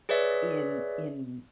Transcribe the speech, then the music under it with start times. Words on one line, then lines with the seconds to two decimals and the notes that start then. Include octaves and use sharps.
in in
0.09 G#4 B4 C#5 D5 E5